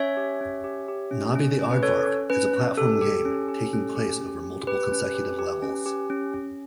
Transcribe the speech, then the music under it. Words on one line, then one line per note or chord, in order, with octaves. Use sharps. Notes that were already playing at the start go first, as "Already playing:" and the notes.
"Nobby the Aardvark" is a platform game taking place over multiple consecutive levels.
Already playing: C#4 C#5 E5
G4
C#4
G4
G4
C#4
C#4
C#4
B4
C#4 A4 C#5
C#4
C#4 B4
C#4
G4 A4
G4
C#4
G4
C#4
G4
C#4
G4
G4 B4
C#4
G4
G4
C#4
G4
C#4
C#4